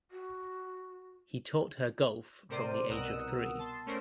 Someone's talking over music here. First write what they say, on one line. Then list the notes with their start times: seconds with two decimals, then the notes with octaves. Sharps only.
He taught her golf from the age of three.
0.11 F#4
2.49 A2 C3 A#4 C5 D5 D#7
2.89 C2 B2 A#4 F#5 D#6 E6
3.59 A5 C6
3.86 A3 C#4 A4 A#4 C5 D5